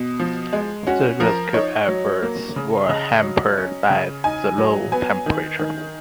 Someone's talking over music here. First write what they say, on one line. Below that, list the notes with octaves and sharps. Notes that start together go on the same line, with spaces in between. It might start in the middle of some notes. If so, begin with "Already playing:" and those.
The rescue efforts were hampered by the low temperature.
Already playing: B2
F3
G#3
C#4 F#4
F3 A#4
D#4 C#5
F#3
A#3
C#3
C#3 D#5
F#3
C#4
C#3
D#4 G#5
F#3
B3 G#5
D#3
D#3